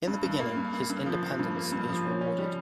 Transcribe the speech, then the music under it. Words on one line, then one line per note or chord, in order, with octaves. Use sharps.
In the beginning, his independence is rewarded.
G2
G2
A#3
G2
G2
G2
F3
F3
G2
A#3
G2
F3
C#4
C#4
G3